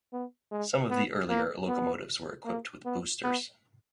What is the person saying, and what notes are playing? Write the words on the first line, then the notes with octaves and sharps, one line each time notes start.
Some of the earlier locomotives were equipped with boosters.
B3
G#3
B3
A#3
B3
A#3
B3
B3